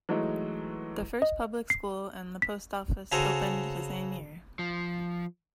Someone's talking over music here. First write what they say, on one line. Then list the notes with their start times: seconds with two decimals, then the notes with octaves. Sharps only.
The first public school and the post office opened the same year.
0.09 E3 F#3 G#3 A3 D#4
1.22 D#5
1.70 C7
2.42 B6
3.12 C#3 F#4 A4 C5 G#5 A#5
4.59 F3